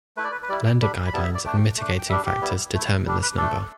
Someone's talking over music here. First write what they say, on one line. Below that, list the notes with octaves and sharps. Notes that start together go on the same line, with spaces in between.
Lender guidelines and mitigating factors determine this number.
A3 E4 B4
D5
B4
B4
G3 E4 D5
G5
G3 D4 B5
B5
G3 B3 E4 A5
E5
D5
A3 D4 G5
A3 D4
G5
G3 D4 E5
G4
G3 B3 E4
A3 E4
G3 D4
B4
A3 D4 A4